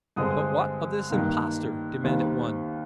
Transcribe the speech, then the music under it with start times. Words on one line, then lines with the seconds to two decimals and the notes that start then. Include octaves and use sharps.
"But what of this impostor?" demanded one.
0.16 G2 D3 G#3 C4 D#6
1.10 G2 D#3 A#3
2.04 D#2 D#3 G3 C4